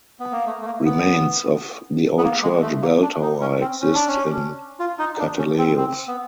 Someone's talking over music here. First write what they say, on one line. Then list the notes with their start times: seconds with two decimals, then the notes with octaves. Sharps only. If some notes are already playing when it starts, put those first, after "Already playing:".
Remains of the old church bell-tower exist in Kateleios.
0.20 B3
0.32 A#3
0.46 A3
0.61 A3
0.65 A#3
0.85 B3
2.18 B3
2.24 A#3
2.43 G#3
2.62 A3
2.82 A#3
3.02 D4
3.22 D#4
3.41 C#4
3.61 C4
3.81 C#4
3.94 D4
4.08 C#4
4.80 F4
4.99 D#4
5.19 D4
5.38 C#4
5.58 C4
5.77 C4
6.08 B3